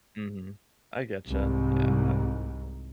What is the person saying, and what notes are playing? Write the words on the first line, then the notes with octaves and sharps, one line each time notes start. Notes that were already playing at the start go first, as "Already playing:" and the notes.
Mhm. I get you, yeah I
C2 G#2